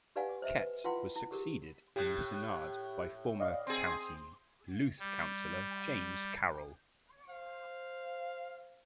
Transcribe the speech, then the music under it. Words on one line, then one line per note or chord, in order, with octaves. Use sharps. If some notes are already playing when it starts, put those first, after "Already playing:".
Kett was succeeded in the Seanad by former County Louth councillor James Carroll.
G4 B4 D5 F5 F#5 G#5
C5 D#5 E5
B4
E4 F4 B4 F#5 G5 C6
E4
G4 G#4 A#4
A2 G4 F#6
D5 D#5 F5
C4 G#4 C6
G3
C5 F5